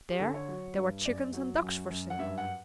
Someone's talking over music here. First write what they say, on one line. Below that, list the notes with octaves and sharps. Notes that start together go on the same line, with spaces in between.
There, there were chickens and ducks for sale.
G4
D3 A4
C#5
F#3
G2
F#2 D5
F#3
F#2
F#2
F#5
G2 E5
F#5